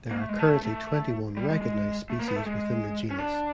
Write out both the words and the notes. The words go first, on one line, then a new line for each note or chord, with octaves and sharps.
There are currently twenty-one recognised species within the genus.
A#3
A3
G#3
A3
A3
G3
G#3
G#3
A3
A#3
B3
A3
G#3
C#4
D4